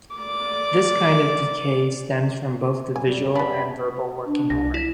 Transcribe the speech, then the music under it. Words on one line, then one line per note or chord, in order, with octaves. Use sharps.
This kind of decay stems from both the visual and verbal working memory.
D5 D6
F#2 B2 G3 G#5
B3 D4 B5
D4
C2 A#6
E4